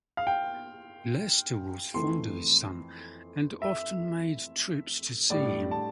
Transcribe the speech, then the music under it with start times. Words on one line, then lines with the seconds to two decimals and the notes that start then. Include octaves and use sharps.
Leicester was fond of his son and often made trips to see him.
0.17 F5
0.27 G5
1.94 F2 E3 A3 C6
3.62 E5
5.30 A2 G3 D4 D5
5.71 A5